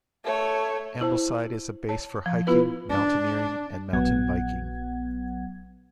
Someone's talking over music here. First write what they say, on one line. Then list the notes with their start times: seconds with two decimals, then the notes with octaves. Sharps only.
Ambleside is a base for hiking, mountaineering and mountain biking.
0.24 A3 C#5
1.01 E4 C5 A5
1.89 C#5 A5
2.26 F3
2.47 B3 E4 F4 B4
2.90 D4
3.93 A#1 F#3 B3 F#5 G#6